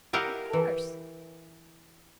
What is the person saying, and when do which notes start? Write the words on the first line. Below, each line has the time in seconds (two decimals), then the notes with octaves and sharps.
'Of course.
0.13 E4 G4 A#4 D#5 F5 F#5
0.53 E3